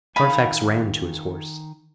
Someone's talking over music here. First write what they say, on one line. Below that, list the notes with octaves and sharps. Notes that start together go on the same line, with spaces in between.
Carfax ran to his horse.
D#3 F5 G#5 B5